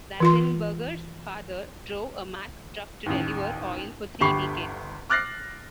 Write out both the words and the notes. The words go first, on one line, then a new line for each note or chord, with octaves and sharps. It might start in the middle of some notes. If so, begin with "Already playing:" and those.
Ratzenberger's father drove a Mack truck to deliver oil for three decades.
E3 F4 C6
A1 D#2
G1 D2 G4 B5 C#6 C7
D6 F6 F#6 A6 A#6 C7